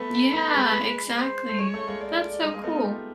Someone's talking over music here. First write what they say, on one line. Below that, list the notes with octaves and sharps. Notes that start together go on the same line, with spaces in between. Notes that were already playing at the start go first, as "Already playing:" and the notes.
Yeah, exactly. That's so cool.
Already playing: A3 B3 B4
A3
G#3
C5
A3
G#3 C#5
A3
G#3 A#3
D5
G#3 D#5
G#3 A#3
A3 B3
D#4 F4
F4 G4